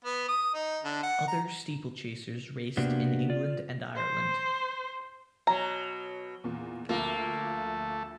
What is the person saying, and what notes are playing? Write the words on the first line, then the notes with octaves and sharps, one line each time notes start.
Other steeplechasers raced in England and Ireland.
B3
D#6
D#4
D3
F#5
A#5
C3 A#3 B3 D4 F#4 G4
F4 D5
C5
B2 F#3 A#5
E2 A#2
D2 F3 A3 A#3 F4